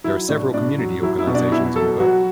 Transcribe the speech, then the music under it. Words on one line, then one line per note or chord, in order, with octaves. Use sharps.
There are several community organizations in Burt.
F#3 E4
A2 D4
A2 D4
F#3
F#3 E4
E4
B2
D4
B2 E4
F#3 A4
F#3 F#4